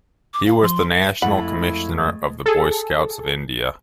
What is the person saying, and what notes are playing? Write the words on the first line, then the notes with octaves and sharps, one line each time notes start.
He was the National Commissioner of the Boy Scouts of India.
D6
F5
F3 C6
F2 G#3 A3 E4 F#5 B5
G#4 A4